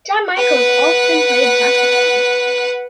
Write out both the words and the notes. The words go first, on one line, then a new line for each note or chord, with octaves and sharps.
Dan Michaels often played saxophone.
B4 F#5